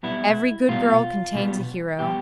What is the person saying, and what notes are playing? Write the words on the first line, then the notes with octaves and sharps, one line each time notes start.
Every good girl contains a hero.
B1 B2 G3 B3 E4
B1 B2 G3 B3 F4
B1 B2 G3 B3
B2 G3 B3 G4